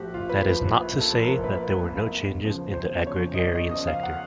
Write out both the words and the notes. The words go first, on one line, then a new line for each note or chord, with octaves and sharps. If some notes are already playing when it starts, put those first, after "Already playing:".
That is not to say that there were no changes in the agrarian sector.
Already playing: A#1 A2 F3 F#4 G4
A#1 F4
B4
A2 F3 B4
B4
A#1
A4
A2 F3
A#4
A#1 B4
A2 F3
E2
C#3 F3
E2 C5
C#3 F3 C#5
D#5
E2 D5
D#5
C#3 F3 D#5
F5
F#5